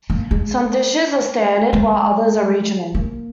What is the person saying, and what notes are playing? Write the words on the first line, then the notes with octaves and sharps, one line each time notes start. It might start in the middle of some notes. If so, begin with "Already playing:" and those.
Some dishes are standard while others are regional.
A#3
G#3
G#3
A#3